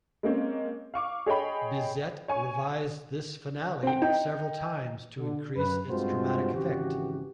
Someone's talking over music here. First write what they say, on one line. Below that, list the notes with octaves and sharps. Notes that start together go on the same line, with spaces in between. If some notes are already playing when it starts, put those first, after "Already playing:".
Bizet revised this finale several times to increase its dramatic effect.
G#3 A#3 C4 C#4
F5 C#6 D6
G#4 C#5 D#5 G5 B5
C#5 G#5 C#6
C4 G5
D#4 G5
D3
F#2 B4
G2 G#3 C4 F4 F#4 C5
G#1 C#3 E3 F#4 G4